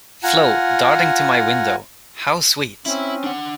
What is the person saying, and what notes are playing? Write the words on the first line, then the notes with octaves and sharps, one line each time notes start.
Flo, darting to my window, — 'How sweet!
F4 F#5 G#5 A#5
C4 C#4 E4
D4 F#5